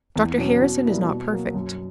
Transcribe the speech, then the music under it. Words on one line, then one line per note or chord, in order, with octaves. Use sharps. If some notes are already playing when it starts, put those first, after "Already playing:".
Dr Harrison is not perfect.
E2
B2 F#3 C#4
B2
G3 A#3 E4
B2
F#3 A#3
F#2